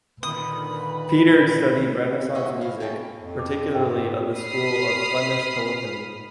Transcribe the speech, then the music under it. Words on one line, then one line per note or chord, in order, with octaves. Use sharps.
Peeters studied Renaissance music, particularly of the school of Flemish polyphony.
A#2 D3 D#3 B4 B5 D#6
E4 F#4 C#5 D#5 E5
C3
E4 F5
D#2 F3 A3 C#4 G5 A5
F2
F4 D6
G#2 F4 D#5 G5
B5 D#6 F6 C7